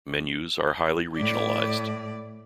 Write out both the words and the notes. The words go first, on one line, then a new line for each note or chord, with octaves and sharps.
Menus are highly regionalized.
A2 D5